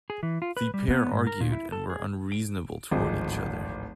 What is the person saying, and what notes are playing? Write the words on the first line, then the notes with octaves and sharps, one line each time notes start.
The pair argued and were unreasonable toward each other.
G#4
E3
F4
B4
G3
B3
G#2
A#4
A#2
E4
A4
G#4
D7
D1 G#1 F3 D#4 G#4 D6